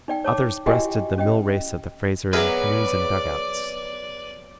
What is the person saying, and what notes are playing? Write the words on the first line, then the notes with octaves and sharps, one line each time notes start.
Others breasted the mill-race of the Fraser in canoes and dugouts.
D#4 D5 G5
C#5 A5 D6
E4 F#4 G4 D#5 G5 G#5
C#4 D#5 G5
F#3 B3 G#4 A#4 B4 D5 E5